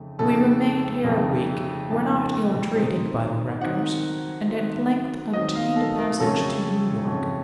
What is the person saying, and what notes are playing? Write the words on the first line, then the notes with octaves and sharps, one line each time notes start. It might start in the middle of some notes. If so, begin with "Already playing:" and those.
We remained here a week, were not ill-treated by the wreckers, and at length obtained a passage to New York.
Already playing: F2 C#3 A3 D#4
F2 C#3 A3 D#4 A4
F2 C#3 A3 D#4
F2 C#3 A3 D#4 A5
D#3 F#3 C4 D#4
D#3 F#3 C4 D#4 F#5
D#3 F#3 C4 D#4
D#3 F#3 C4 D#4 D#5
F5
A4
A#4
F2 C#3 F#3 A3 C#4 A4
F2 C#3 F#3 A3 C#4